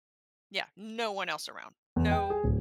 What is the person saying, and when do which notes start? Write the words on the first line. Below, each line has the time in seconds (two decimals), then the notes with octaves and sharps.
Yeah, no one else around. No
1.96 E2
2.11 G5
2.30 G#4
2.44 D1